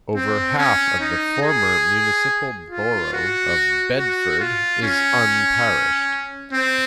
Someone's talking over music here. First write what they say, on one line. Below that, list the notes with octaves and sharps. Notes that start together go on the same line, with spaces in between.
Over half of the former municipal borough of Bedford is unparished.
C4
C#4
D#4
G#4
F4
F#4
F#4
F4
C#4
C4